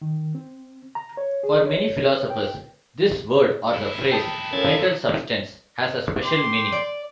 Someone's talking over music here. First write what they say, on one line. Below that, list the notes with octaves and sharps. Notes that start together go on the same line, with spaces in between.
For many philosophers, this word or the phrase "mental substance" has a special meaning.
D#3
C4
A#5
C#5
G#4
C#5
G5
B1 E4
G5 A5 D#6
F3 C#4 A4 A#4 G#6 A6
G5 C6 D6
D5